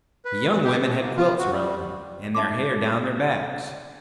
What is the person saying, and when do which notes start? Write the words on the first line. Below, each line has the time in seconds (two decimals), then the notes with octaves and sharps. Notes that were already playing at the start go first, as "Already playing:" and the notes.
The young women had quilts around them, and their hair down their backs.
0.25 B4
0.50 E3
0.64 G4
0.85 B2
1.00 G#2
1.17 F4
1.39 F#4
1.53 G3
2.35 D#4 E5 A5 C6 D6